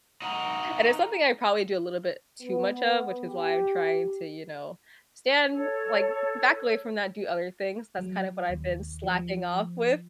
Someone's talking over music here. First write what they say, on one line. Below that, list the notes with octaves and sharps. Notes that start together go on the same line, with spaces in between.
And it's something I probably do a little bit too much of, which is why I'm trying to, you know, stand like, back away from that, do other things. That's kind of what I've been slacking off with.
D#4 F#4
B3
G4
A4 C#5
F#3
D#2
F3